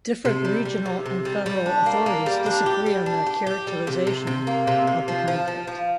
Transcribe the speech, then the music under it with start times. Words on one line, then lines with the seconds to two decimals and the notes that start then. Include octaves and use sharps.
Different regional and federal authorities disagree on the characterisation of the conflict.
0.25 C3
0.45 G3
0.65 G3
0.86 C3
1.06 C3
1.25 G3
1.46 G3
1.66 D4
1.86 A#3
2.06 A#3
2.26 G3
2.46 D4
2.66 G4
2.86 G3
3.06 D4
3.27 G4
3.47 G4
3.67 G3
3.87 C3
4.07 C3
4.27 C3
4.47 A#3
4.67 C3
4.87 C3
5.08 F3
5.28 F3
5.48 F3
5.67 F3